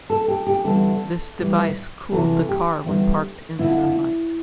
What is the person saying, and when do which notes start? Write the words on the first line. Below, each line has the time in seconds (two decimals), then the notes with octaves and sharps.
This device cooled the car when parked in sunlight.
0.10 A4
0.28 G4
0.47 G4
0.64 E2 D3 G3 A4
1.39 A2 E3 G3
2.12 E2 C3 E3 A4
2.49 G4
2.85 E2 D3 G3
3.58 F2 D3 F3 E4